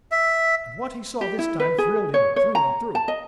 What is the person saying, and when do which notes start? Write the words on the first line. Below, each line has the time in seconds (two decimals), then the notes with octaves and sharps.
And what he saw this time thrilled him through and through.
0.12 E5
1.21 G4
1.39 E4
1.60 B4
1.78 G#4
2.14 C#5
2.36 C#5
2.55 A#5
2.95 A5
3.08 D#5